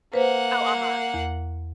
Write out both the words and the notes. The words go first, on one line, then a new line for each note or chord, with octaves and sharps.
Oh, uh-huh.
A#3 B4 C5 F#5
E2